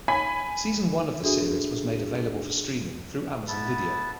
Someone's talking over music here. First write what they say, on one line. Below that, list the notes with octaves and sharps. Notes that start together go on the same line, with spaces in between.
Season one of the series was made available for streaming through Amazon Video.
G#5 B5 B6
D4 F#4 G#4 A4 E5
B3 E4 A5